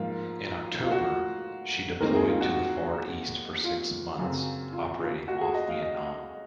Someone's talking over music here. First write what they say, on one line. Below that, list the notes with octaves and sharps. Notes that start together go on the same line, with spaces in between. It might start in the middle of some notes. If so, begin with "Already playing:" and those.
In October she deployed to the Far East for six months, operating off Vietnam.
Already playing: G#2 F3 A#3 F4
F4
F#4
D#2 D#3 G#3 C4 A#4
G#4
F4
F#4
F4
F#2 C#3 F#3 C4
F4
F4
F#4
G#4
D#5
F5
D#5